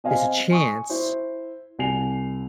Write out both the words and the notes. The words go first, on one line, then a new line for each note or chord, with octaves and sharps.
there's a chance
C4 D#5 F5 G#5
G#5 C#6 D#6
E4 C5
C2 G#5 C7 F7